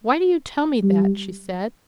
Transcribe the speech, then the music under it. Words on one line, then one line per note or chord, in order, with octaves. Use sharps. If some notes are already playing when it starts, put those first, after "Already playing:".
"Why do you tell me that?" she said.
G3